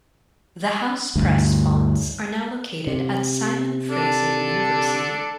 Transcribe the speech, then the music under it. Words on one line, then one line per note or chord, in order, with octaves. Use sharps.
The housepress fonds are now located at Simon Fraser University.
D2 G2
C3
D4 A4